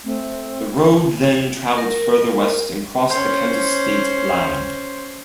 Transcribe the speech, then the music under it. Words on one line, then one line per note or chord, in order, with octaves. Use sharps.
The road then traveled further west and crossed the Kansas state line.
A3 C4
A#4
C#4 C5